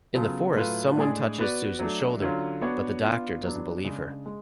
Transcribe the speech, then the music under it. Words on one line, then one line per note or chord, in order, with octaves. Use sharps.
In the forest someone touches Susan's shoulder, but the Doctor doesn't believe her.
C#3 F#3 B3 F4 A4
A2 F#3 A3 F4 B4
A2 G#3 D4 G#4 D5
B3 F#4 B4 D5
F#3 A3 D4
D3 F#3 C#4 F4
B3 D4 F#4 C#5
B3 D4 F4
F#3 B3 D4
C#3 G#3 D4
G#3